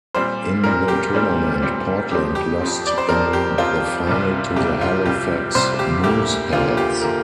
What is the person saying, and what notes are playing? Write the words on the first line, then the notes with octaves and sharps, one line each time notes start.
In the tournament Portland lost in the final to the Halifax Mooseheads.
A#2 G3 C4 C5
A#2 G3 C4 A#4
G4
A#2 G3 C4
A#2 G3 C4
F2 F3 C4 G4
G4
F2 F3 C4
D5
C5
F2 F3 C4 A#4
G4
F2 F3 C4 F4
C2 C3 G3
C2 C3 G3 G4
F4
C2 C3 G3 G4
C2 C3 G3 C5
G4
D2 D3 A#3 G4
D2 D3 A#3 F4
G4
D3 A#3 A#4